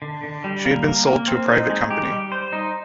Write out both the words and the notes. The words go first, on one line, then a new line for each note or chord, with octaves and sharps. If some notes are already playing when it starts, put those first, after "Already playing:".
She has been sold to a private company.
D3
D3
G3
A#3
A#3
A#3
C4
D#4
G#3
G4
G3
C5
D#4